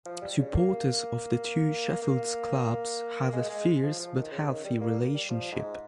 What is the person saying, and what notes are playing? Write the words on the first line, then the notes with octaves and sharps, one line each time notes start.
Supporters of the two Sheffield clubs have a fierce but healthy relationship.
F3
G3
C#3
A#3
A#3
G#3
G#3
F3
F3
D#3
C#3
D#3
G3
A#3
G3
F3
G#2